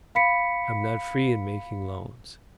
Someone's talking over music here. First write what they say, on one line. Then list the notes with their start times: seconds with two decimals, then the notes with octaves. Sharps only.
I'm not free in making loans.
0.15 F5 B5 B6 C#7